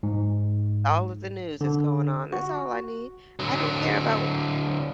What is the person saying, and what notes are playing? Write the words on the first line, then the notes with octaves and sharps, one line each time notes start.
all of the news that's going on. That's all I need. I don't care about
G#2
D3
F#4
D3 F#3